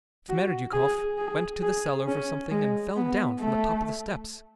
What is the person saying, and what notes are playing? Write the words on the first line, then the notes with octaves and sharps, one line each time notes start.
Smerdyakov went to the cellar for something and fell down from the top of the steps.
F#4
G#4
G#4
G#4
C#4
G#3
B3
A3